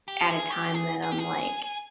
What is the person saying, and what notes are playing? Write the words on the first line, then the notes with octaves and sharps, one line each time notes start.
at a time that I'm, like,
G4
G#4
G4
G#4
G#4
G4
G#4